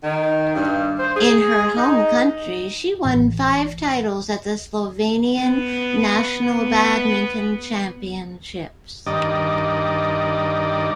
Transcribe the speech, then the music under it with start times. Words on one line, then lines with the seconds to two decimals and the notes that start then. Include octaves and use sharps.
In her home country she won five titles at the Slovenian National Badminton Championships.
0.03 D#3
0.55 G2
0.98 C5
1.16 G#4
1.77 D#4
3.05 A1
5.40 B3
6.55 B3
9.06 G2 D#3 D5 D#5